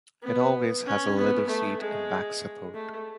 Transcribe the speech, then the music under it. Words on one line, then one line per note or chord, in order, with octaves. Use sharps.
It always has a leather seat and back support.
B3
C#4
B3
A3
G#3
A3